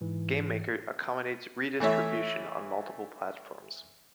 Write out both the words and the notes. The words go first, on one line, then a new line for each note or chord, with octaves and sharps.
GameMaker accommodates redistribution on multiple platforms.
G#2 E3
E3 A3 C#5 E5